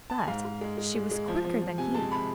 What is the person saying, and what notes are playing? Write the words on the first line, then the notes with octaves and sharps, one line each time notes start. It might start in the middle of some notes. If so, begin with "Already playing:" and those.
But she was quicker than he.
A5
G#5
G#2 F5
G#2
G#3
G#3
G#3
G#3
F3
F3
F3
C3 G#5
G#3 A5
C3 B5